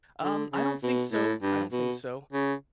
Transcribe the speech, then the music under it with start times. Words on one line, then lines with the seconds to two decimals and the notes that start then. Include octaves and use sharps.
um I don't think so, I don't think so.
0.23 D3
0.53 C#3
0.83 B2
1.12 A2
1.42 G2
1.72 B2
2.33 C#3